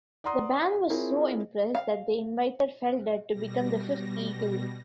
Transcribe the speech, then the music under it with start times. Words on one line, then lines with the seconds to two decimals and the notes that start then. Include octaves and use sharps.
The band was so impressed that they invited Felder to become the fifth Eagle.
0.24 D5 F#5 A#5 C6 D#6
0.90 C4 E4 F4 G#4 A#4 C#5
1.75 F5
3.29 B2 G3 A#6